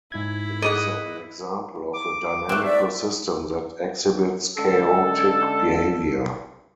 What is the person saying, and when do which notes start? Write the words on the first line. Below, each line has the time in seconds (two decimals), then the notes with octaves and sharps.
It is an example of a dynamical system that exhibits chaotic behavior.
0.12 G#2 E4 G#6
0.62 G#4 A4 D#5 F#5
1.93 D6
2.49 A3 C4 F#6
2.64 D5 E5
4.56 D3 G#3 C#4 A4